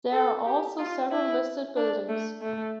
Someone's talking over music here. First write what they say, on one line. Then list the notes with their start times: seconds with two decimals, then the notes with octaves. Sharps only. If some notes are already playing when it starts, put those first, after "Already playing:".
There are also several listed buildings.
0.12 A4
0.46 G4
0.78 F4
1.11 E4
1.77 D4
2.09 A3
2.42 A3